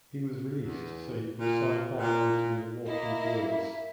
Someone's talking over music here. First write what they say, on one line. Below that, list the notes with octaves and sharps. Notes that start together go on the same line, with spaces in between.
He was released so he could sign back with the Milwaukee Brewers.
E2
A#2
A#2
A#3 E4 D#5
E5